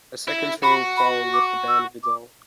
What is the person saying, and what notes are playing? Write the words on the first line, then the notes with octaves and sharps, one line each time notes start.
A second tour followed with the band Vidoll.
E4
F#4 B5
B5
D6
E6
D6